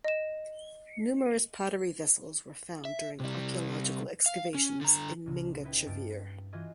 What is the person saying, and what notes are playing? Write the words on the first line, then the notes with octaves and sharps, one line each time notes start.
Numerous pottery vessels were found during archeological excavations in Mingachevir.
D#5 E7
E5
C3 G3
F5
C#4
D3 A#5
C#2 A#2 C#3 F#3
D#4 E4 F#4 B4 G5 G#5
G2 F4 A5 D7 E7
B4
E3 F4 F#4 G#4 C5 D#5